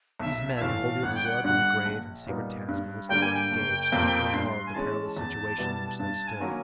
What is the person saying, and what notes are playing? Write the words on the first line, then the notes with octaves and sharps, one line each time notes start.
These men, wholly absorbed in the grave and sacred task in which they were engaged, thought no more of the perilous situation in which they stood.
B1 E5
E5
A2 E3 A3 F5
G1 F#5
G5
F#5
G2 D3 G3 F#5
A#1
A#2 G3 B3 D#4
G2
D3 G3 A#3 G5
G#5
G5
F#1
F2 C3 F3 A#3
G2 C6
G#5
E3 G#3 C#4 A5
E2 A5
B2 G3 B3 E4
G2 A5
G#5
D#3 F#3 A#3 C#4